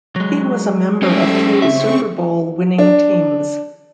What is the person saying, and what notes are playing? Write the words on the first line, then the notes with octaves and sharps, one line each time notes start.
He was a member of two Super Bowl-winning teams.
F#3 G#3
G3 A3 C#4 C5 E5
C#3 C4 E5 C#6
D4